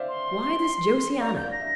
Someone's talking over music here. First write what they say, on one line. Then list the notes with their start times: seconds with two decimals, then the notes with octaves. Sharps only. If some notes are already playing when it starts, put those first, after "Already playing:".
Why this Josiana?
Already playing: C5 D5 E5 F5
0.08 C6
1.20 D5 F5 A#5
1.36 G6
1.44 D5 F5
1.52 A#6
1.60 E5